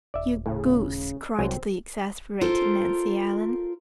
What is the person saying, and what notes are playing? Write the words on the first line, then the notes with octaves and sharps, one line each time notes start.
"You Goose!" cried the exasperated Nancy Ellen.
D#1 D5 E5
A2 C#3
C2 F#3 C4 G#5
F4 A4 A#4 C5